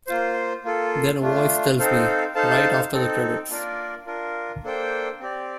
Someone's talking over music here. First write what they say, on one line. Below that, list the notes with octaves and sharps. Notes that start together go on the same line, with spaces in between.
Then a voice tells me, 'Right after the credits.
A#3 F4 C5
A#3 F4 A4
A3 D4 F4
C4 D#4 A4 C5 F5
D#4 A4 C5 F5 A5
C4 D#4 A4
A#3 D4 F4 A#4 D5
D4 F4 A#4
A#3 D4 A4 C5 G5
C4 G4 D5